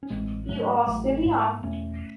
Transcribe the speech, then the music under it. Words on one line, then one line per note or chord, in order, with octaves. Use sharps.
You are still young.
C#4
A1 G#3 C4
G#2 F#3 A3
A1 F#3 A3
G#2
E1 A3 C#4